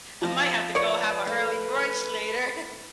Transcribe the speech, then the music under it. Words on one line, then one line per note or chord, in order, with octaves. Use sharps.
I might have to go have an early brunch later.
F2 F3 C4 D#5
B4 C#5 D5 F#5
A3 A4